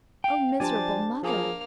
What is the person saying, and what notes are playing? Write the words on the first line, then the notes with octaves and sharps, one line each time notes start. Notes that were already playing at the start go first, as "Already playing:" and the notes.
'O miserable mother!
F5 G5
F3 D4 G4 C5 D5 G#5 A5
F3 A#3 G#4 F6